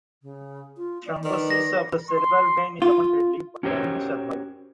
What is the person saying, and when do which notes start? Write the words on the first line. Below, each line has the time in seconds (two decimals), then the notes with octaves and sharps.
Thrombosis of the cerebral vein is often deadly but can be survived.
0.23 C#3
0.77 F4
1.06 D5
1.24 D#3 B4 D5
1.50 A#6
2.10 C6
2.82 F4
3.63 C#4 F#4 G4 A#4 C5 C#5